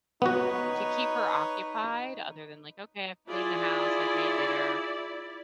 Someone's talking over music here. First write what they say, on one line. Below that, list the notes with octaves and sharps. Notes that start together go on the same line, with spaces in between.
to keep her occupied other than like, "Okay, I've cleaned the house. I've made dinner"
B3 D#4 F#4 B4 C#5
E4 F4 G#4 D5